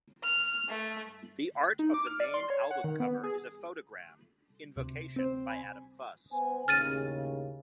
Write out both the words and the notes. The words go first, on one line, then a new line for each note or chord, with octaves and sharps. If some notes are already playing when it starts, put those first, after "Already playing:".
The art of the main album cover is a photogram, "Invocation", by Adam Fuss.
F6
A3
D#4
D6
F6
D5
C6
C#5
F#5
D#3
B3
G#4
D2 C3
C4 C5
G#5 B5
B3 C5 G#5
D#2 A2 C#3 F6 A6 D#7